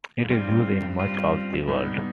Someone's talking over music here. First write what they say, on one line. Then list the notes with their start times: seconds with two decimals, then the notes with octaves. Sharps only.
It is used in much of the world.
0.24 G#2
0.30 G2 G3 C4 F4
0.48 F#2
0.66 F#2
0.82 G2
0.99 G2 G3 C4 F4
1.68 G#2 G3 B3 D#4
1.85 B2
1.96 B2